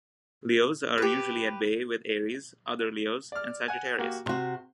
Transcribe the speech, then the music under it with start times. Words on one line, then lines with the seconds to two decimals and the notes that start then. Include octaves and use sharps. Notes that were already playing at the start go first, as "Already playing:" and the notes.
Leos are usually at bay with Aries, Other Leos and Sagittarius.
0.98 G4 B4
3.32 D5 F6
3.68 F#5 G#5
3.98 A#3 F#4 G4
4.26 C3 F#4 C6